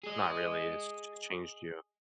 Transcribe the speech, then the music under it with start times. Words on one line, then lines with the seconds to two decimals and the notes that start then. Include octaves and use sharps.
not really, it's ch changed you?
0.03 G#4 D#5